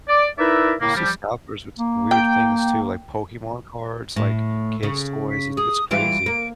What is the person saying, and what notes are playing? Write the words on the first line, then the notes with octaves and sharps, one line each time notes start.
You see scalpers with s weird things too, like Pokemon cards, like, kids' toys, it's it's crazy.
D5
D#4 E4 A#4 B4 D5 E5
A2 C#3 A#3
F3 G3
A#3
G5
A2
C#3
B6
G#4 D#6
E3 G3 F4 D7
A#3